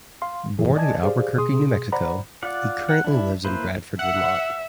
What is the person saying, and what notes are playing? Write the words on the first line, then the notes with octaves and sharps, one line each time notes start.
Born in Albuquerque, New Mexico, he currently lives in Bradford, Vermont.
F5 C6
F#2 A2 E3 G#4
D5 D#5 G#5 A5 G#6
G4 G#4 C5 D5 F5
B2 G#4 C6 D#6
C5 D5 F#5 A#5 B5
F4 D5 F#5
F#5
D4 E4
A#3 E4 B4 C5
E5 F#5